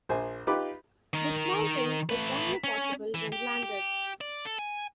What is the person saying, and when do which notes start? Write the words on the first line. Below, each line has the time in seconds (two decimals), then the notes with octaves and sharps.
Dismounting is only possible when landed.
0.09 A#1 C5 G#5
0.47 D#4 F4 G4 B4 B5 D6
1.13 D#3 A#4
2.09 A3 B4
2.64 C#4
3.14 E3
3.32 G4
3.63 G4
4.21 D5
4.45 A4
4.59 G#5